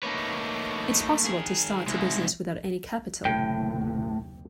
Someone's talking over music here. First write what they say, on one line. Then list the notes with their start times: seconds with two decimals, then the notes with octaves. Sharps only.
It's possible to start a business without any capital.
0.03 A3 A#3 D#4 B4 C#5
1.26 D#3 G#4
1.87 C2 G#3 D#4 E4
3.25 F#1 D#2 A2 C3 G5